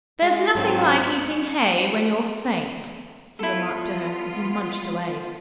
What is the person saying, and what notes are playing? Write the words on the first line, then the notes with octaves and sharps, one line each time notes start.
'There's nothing like eating hay when you're faint,' he remarked to her, as he munched away.
G#3
G#2 F#3 C4
C#7
B3 E4 F4 A4